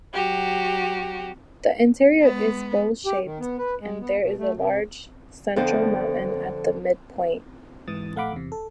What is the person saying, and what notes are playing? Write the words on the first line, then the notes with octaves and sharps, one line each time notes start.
The interior is bowl-shaped, and there is a large central mountain at the midpoint.
F#3 F#4 G4
G#3 B3
G4
D#3
B3
B4
G#3
B3
B2
A3
C3
F2 D3 B3 C5 F5
G#2 E3 D#6 A6
A#1 A3 F5 F#5 B5 D6
E2 C3
A4